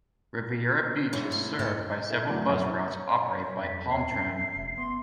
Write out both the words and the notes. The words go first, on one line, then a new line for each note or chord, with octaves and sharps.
Riviera Beach is served by several bus routes operated by PalmTran.
G#2 D#4 E4 G#4 C#5
A3
G#2 A3 A4 G5
D#4 E4 A4 A#4
D2 A2 F#3 D5 A#5
F#2 E3 F#3 A3 F#4
C#5
F2 B6
D#2 C#5 C7
F#2 E5
F1
B3 C6